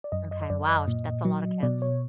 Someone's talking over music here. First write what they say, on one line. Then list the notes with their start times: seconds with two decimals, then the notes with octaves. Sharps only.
Okay. Wow. Sh that's a lotta kids.
0.04 D5
0.12 F#2 D#5
0.31 D#5
0.42 D#5
0.50 F#2 D5
0.69 D#5
0.88 A#2
1.25 F#3
1.63 B2 D5
1.82 C#5